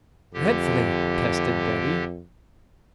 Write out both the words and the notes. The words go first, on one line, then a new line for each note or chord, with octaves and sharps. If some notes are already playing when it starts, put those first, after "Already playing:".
"Dreadfully," attested Betty.
F2 D3 G4